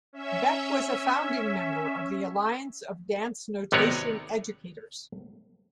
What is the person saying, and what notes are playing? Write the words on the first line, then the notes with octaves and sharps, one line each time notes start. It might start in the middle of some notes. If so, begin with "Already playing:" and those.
Beck was a founding member of the Alliance of Dance Notation Educators.
C#4 E5
G#1 C3 B3 D#4 C#5 D5